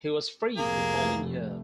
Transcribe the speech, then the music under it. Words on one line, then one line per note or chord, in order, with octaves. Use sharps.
He was freed the following year.
F1 C2 A3 A#3 G#4